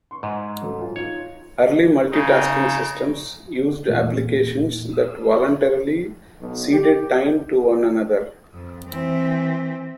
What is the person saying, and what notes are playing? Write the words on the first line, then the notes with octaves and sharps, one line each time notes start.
Early multitasking systems used applications that voluntarily ceded time to one another.
C6 C#6
G#2 C#6
F#3 C#4 A4
F4
D#4 F4 C#5
C#3 D#4
E2 A#2 A3
B1
G4
F2
E3 C4